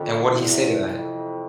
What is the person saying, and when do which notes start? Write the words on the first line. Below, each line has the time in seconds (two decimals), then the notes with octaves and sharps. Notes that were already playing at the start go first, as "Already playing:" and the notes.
And what did he say to that?
Already playing: F2 D3 F3
0.33 E2 C3 E3
0.84 F2